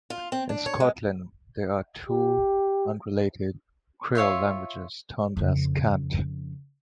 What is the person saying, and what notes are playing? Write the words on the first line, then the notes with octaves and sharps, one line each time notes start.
In Scotland, there are two unrelated creol languages termed as "cant".
F4
C4
D4
C#5
G#3
G4
F4 C#5 E5 C6
F2 C#3